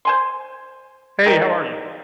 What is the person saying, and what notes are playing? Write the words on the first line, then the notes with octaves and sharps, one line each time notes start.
Hey, how are you?
C5 G#5 C6
D#4 G4 A#4 D5